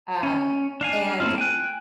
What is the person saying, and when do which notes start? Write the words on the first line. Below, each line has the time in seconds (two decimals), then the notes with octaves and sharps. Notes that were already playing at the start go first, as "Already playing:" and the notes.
um, and
0.23 C#4
0.81 D4 F5 G#5
1.20 A3 A#3 C4 E4 F4
1.38 G5 G#5 F#6